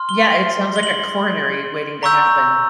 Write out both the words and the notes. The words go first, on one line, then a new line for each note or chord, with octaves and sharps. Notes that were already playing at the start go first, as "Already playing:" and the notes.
yeah, it sounds like a coronary waiting to happen.
Already playing: C6 F6
G7
G7
F#7
A#5 C#6 E6 G6